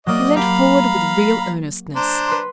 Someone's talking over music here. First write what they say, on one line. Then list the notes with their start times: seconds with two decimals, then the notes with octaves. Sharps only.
He leant forward, with real earnestness.
0.07 F#3 A#3 D5 D#5
0.36 G4 F5 A#5 B5
1.96 D4 C5 A#5
2.28 B4 C6